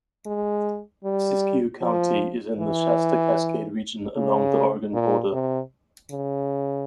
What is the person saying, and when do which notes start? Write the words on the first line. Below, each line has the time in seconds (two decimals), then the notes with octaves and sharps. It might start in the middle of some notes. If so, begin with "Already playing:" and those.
Siskiyou County is in the Shasta Cascade region along the Oregon border.
0.26 G#3
1.04 G3
1.81 F3
2.60 E3
4.16 C#3
4.94 A#2
5.33 C3
6.11 C#3